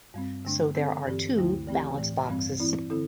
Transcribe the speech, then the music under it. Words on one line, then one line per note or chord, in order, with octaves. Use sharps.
So there are two balance boxes.
G2 G3 C4
G2 D3 A3 D4
D3 C4 A4
G2 E3 C4 G4
D2 D3 A3 E4
E3 A3 C4 G4
A2 E3 A3
G2 E3 G3 C4
E3 C4 E4
D3 C4 E4 A4